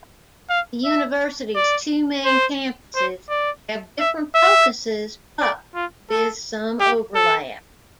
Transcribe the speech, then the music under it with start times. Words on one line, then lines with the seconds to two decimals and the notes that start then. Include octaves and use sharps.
The university's two main campuses have different focuses but with some overlap.
0.49 F5
0.85 E5
1.55 D5
2.25 C5
2.95 C5
3.29 D5
4.00 E5
4.35 E5
5.40 D5
5.75 F4
6.10 A4
6.80 G4
7.15 A4